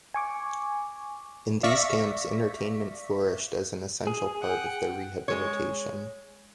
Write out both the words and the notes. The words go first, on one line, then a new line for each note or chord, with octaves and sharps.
In these camps entertainment flourished as an essential part of their rehabilitation.
G#5 C#6 D6
D5 E5 F5 C#6 A#6 B6
G#4
F#5 G5
G#3 C#5